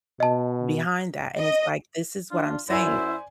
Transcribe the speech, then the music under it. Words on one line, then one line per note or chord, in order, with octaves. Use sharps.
behind that. And it's like, this is what I'm saying.
B2 D#5 A5
D#5
D4 F4
F#2 E4 C5 D5 G#5